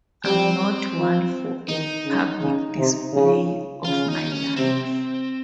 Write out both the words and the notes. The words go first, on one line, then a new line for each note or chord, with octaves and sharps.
I'm not one for a public display of my life.
G3 C4
F3
D#3 D#4
C#3
C#3
C3
C#3
C#3 F4
D#4
C#4
C3 C4